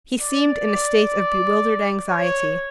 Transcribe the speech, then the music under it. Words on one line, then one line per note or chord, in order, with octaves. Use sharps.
He seemed in a state of bewildered anxiety.
D5
C#5